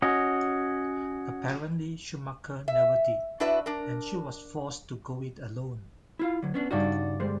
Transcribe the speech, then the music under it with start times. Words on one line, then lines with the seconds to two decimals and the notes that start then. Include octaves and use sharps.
Apparently Schumacher never did, and she was forced to go it alone.
0.02 C#4 F#4 D#5
2.68 E5
3.40 D4 E4 F#4 B4 D5 E5
3.66 D4 A#4
6.19 E4 F4 F5
6.43 D3 F#3
6.54 B3 C#4 D4
6.71 G2 C#3 D#4 F#4 D5 A6
7.20 D3 G3 G#3 C5